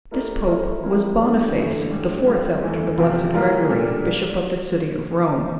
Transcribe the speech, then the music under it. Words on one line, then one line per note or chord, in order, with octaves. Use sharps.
This pope was Boniface, the fourth after the blessed Gregory, bishop of the city of Rome.
A3 E4 G4 A#4 D5
A3 E4 A#4 E5
F3 C4 E4 A#4
E3 G3 A#3 D4 A4
E2 D3 A3 E4
A2 G3 D4
G3 C4 F4 A4
E2 E3 A3
E2 C3 F3 C4 F4
E3 G3 A#3 F4 A#4
A#2 G3 A#3 D4 A4